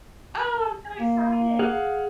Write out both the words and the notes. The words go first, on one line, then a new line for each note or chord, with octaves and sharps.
Oh, I'm so excited.
A#3
G#4 F5 F#5